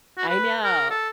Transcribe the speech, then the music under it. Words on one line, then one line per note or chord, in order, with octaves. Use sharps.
I know
F#4
B4
A#4
A4